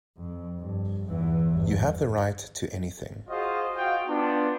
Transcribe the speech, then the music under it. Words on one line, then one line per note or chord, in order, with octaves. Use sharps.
You have the right to anything.
F2
G2
E2 E3
G1
F4 F#4 G#4 C5 D#5 F5
F4 F#4 F5 G5
B3 D4 F4